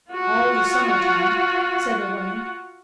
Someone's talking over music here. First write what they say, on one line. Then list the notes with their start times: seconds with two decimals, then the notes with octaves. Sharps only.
'All the summer-time,' said the woman.
0.11 F4 F#4